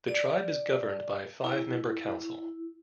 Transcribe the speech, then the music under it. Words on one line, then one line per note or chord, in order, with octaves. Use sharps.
The tribe is governed by a five-member council.
D5
E4